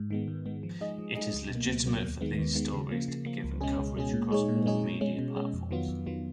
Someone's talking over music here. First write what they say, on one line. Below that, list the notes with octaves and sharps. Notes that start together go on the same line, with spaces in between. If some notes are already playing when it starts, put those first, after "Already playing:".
It is legitimate for these stories to be given coverage across all media platforms.
Already playing: G#2
D#3 G#3 B3
G#2
D#3 G#3 B3
F3
G#3 D#4 G#4 D#5
F3
G#3 D#4 G#4 D#5
C#2
B2 F#3 A#3
C#2
B2 F#3 A#3
D#2
D#3 G#3 B3
D#2
D#3 G#3 B3
C#3
F3 A#3
C#3
F3 A#3
C#2
B2 G#3 C#4 G#4
C#2
B2 G#3 C#4 G#4
A#2
G#3 D#4 G#4 C#5
A#2
G#3 D#4 G#4 C#5
B2
G#3 C#4
B2
G#3 C#4
F2
D#3 F#3 B3 F4
F2
D#3 F#3 B3 F4